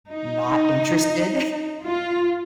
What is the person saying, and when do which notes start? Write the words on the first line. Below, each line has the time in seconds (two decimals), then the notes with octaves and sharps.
not interested.
0.10 D#4
1.82 F4